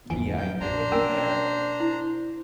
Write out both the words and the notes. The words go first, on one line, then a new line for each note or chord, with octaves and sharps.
Yeah, I agree with you there.
D1 F2 E3 G#5
F#2 G5
A#1 F#2 D4 C5 A#5
B2 A#3 C#4 A#4 G#5
E4